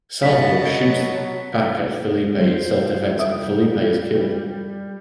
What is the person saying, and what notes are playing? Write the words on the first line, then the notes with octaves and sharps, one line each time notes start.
Salvador shoots back at Felipe in self defense and Felipe is killed.
F#3 B3 D#5 A5 B6
F#3 C5
G3 E5 D#6 D7